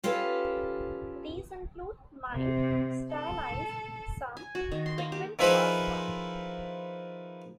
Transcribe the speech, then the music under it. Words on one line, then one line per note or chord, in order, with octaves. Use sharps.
These include: "mild", "stylised", "some", "frequent" or "strong".
C#4 F4 G4 A4 B4
C3
A4
G#5
F#4
D#3
C6
A#3
G4
D#3 F3 E4 G#4 B4 C5